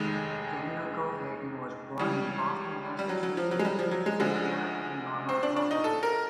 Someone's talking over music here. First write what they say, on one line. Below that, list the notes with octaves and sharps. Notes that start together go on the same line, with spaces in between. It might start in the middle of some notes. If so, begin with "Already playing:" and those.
Daniel Goldhagen was born in Boston, Massachusetts to Erich and Norma Goldhagen.
Already playing: F1 D#2 D#3 G#3
C#2 C#3 E3 G3
G3
F#3
F#3
F3
F#3
G#3
G3
F3
F#3
G#3
D2 D3 F3 G#3
C4
D4
D4
D#4
A4
A#4